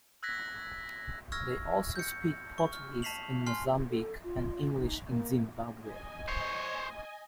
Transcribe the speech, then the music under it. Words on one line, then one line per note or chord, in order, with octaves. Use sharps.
They also speak Portuguese in Mozambique and English in Zimbabwe.
E6 F#6 G#6 A#6 B6
C#6 E6 F6 G#6 A#6
G6 C#7
C#6
F6
A5 B6 C7 F7 F#7
G#5 C6 F6 C7
A4
F4
D#4
A#3
D#5 G#5
C5 C#5